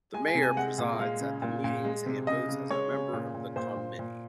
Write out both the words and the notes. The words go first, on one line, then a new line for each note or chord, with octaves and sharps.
The Mayor presides at the meetings and votes as a member of the Committee.
G#3 G#5
G#5
C3
G#5
G#3 F#5
A#2
G#3 F5
C#3
A#2
A#2
G#3
C3
C#3 D#5
C#3
G#3 C#5
C#3
A#2
A#2
A#2 C5
A#2
A#2